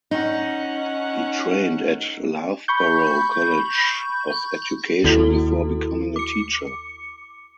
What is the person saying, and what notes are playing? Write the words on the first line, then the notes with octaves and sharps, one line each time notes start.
He trained at Loughborough College of Education before becoming a teacher.
C#4 D#4 F#5
B5 C#6 G6
D#2 E4 F#4 A4
D6 C#7